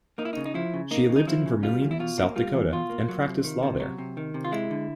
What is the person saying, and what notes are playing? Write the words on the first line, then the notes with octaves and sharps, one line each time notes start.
She lived in Vermillion, South Dakota and practiced law there.
A#3 D#4
E4
D#4
C#3
D#4
F3 E4
C#3
A#3 D#4
C#3
D#4
F3 E4
C#3
G3 F4
E2
E4
B2 F4
A#3
G3 F4
E2
B2 F4
A#3
F#3
C3
D#3
C3
F#3
C3
D#3
C3
F4
G#3 E4
D3